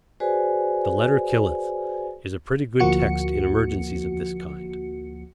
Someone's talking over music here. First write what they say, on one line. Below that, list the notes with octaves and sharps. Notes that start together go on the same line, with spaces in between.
"The letter killeth" is a pretty good text in emergencies of this kind.
F#4 G#4 B4 C5 D5 G#5
D2 F3 A#3 F#4 C#7